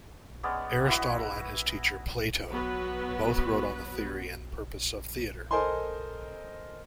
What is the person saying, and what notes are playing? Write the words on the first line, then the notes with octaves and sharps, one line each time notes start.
Aristotle and his teacher Plato both wrote on the theory and purpose of theatre.
G#3 B3 C#4 D5
E4 F#4 B4 D#5
F#3 B3 F#4 B4
A4 A#4 C5 D#5 G#5 C6